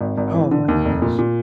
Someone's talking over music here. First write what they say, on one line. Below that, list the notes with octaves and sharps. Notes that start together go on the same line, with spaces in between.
Oh my gosh.
G#1
G#1
E3
D3
D#2
F1
A#2
A#2